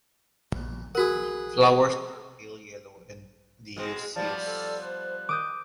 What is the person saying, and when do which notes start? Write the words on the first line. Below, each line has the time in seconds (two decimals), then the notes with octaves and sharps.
Flowers are pale yellow and dioecious.
0.95 F#4 G#4 A#4 B4 F#5
3.76 B2 G#3 C4 G#4
4.16 F3 G3 B3 D5 A5
4.46 A4
4.83 C5 F#6
5.29 D#3 D6 D#6 G6